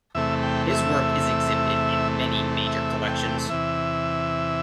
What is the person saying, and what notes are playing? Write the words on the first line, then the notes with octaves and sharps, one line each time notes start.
His work is exhibited in many major collections.
E2 C3 A3 E5
G5
E5
E5
G5
E2 C3 E3 E5